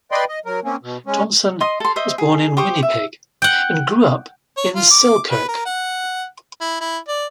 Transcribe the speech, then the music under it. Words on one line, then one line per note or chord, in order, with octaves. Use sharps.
Thompson was born in Winnipeg and grew up in Selkirk.
B4 D5 D#5 G5 B5 C6
D#5
F#3 A#4
A#3 C4 C#4
B2
G#3 C#4
D#5 C6 D#6
A4 C6
C5 D#5 E5
G#4
G4 C5 C#6 D#6
E5
F#5 G5
C#5
F4
D6
B4
A#4
F#5
E4
E4
D5